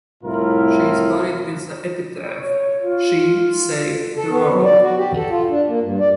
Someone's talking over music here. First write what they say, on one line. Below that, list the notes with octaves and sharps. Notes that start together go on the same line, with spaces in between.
She is buried with the epitaph, She saved the world.
C2 A2 E4 F4 A#4
C#5
F4
A4
B3
F#3
D5
F#4
G4
A4
F4
D4
A#3
G2
D5